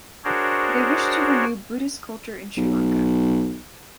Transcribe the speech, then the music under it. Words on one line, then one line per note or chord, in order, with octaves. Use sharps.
They wished to renew Buddhist culture in Sri Lanka.
D4 F#4 G#4 A#4 C5 C#5
B1